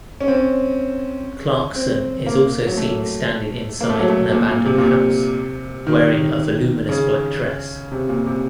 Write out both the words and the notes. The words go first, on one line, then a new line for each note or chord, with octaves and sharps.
Clarkson is also seen standing inside an abandoned house, wearing a voluminous black dress.
C#4
C4
C#4
C4
A#3
F#3
A3
A#3
A3
F#3
A3
A#2
A#2
C3
A#2
C3
D#3
C#3
C3
A#2
C3